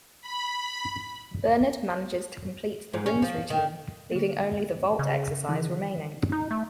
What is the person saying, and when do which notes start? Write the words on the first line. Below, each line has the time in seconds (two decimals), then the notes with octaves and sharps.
Bernard manages to complete the rings routine, leaving only the vault exercise remaining.
0.21 B5
2.94 G#2
3.06 C#4
3.22 F3
3.50 D#3
4.12 D3 A#3
4.99 C#3
5.49 D#3 E3
6.32 D#4
6.51 A3